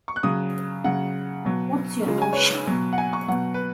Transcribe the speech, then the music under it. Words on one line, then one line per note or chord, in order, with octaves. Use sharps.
What's your notion?
C#6
F#6
C#3 F#3 D#6
C#3 F#3 F#5
B2 F#3
C#3 G#3
G#5
C#5
B4
B2 F#3
F#5
G#5
C#6
B2 F#3 F#5
B4